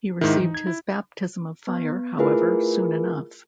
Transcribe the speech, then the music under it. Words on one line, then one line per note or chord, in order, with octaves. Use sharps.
He received his baptism of fire, however, soon enough.
G#2 D#3 D#4 E4
E3 D#4
G#6
E4
B3
A3 E4 F4 G#4 A#4 B4